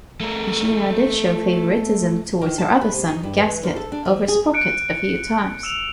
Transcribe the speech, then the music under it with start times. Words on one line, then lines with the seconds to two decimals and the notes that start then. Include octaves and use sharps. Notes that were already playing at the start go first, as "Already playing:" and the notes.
Machina did show favoritism towards her other son, Gasket, over Sprocket a few times.
0.21 A3 A#4
2.41 D#3
2.58 A5
2.81 B4
2.93 C3
3.09 D#4
3.23 G2
3.37 E3
3.63 D2
3.76 A4
3.92 D4
4.05 F3
4.28 G#4
4.54 F#6 C#7 D7
5.63 E6 E7 F7